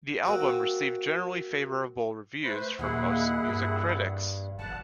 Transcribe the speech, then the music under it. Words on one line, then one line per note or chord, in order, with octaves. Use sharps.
The album received generally favorable reviews from most music critics.
A#3 C4 F#4
A3 B4 C5
D#2 A#2 G3 A#3 E4 G#4 F#5
G2
F#1 E3 G3 F#5 A5